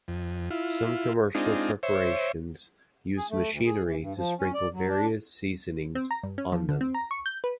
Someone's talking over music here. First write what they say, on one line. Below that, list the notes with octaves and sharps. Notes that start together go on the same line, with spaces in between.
Some commercial preparations use machinery to sprinkle various seasonings on them.
F2
E4 F4
G#3 C4 D4 D#4 F4
C5 C#5 E5
G#4
A3
D2
G#4
E3
G2
F3
C#4
D5
F#3
D4
C4
A#5
G2
C#4
F3
D3
C4
A#5
C#6
G6
B4